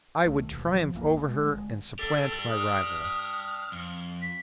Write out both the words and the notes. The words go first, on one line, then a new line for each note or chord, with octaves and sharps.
"I would triumph over her, and supplant my rival."
C2 D#3 A3
D#2 B2
A1 F3
F#1 C2 E3 A#3
G#3
G#1 D3 G#3
D4 G4 A4 A6
D#6 F6
F2
B6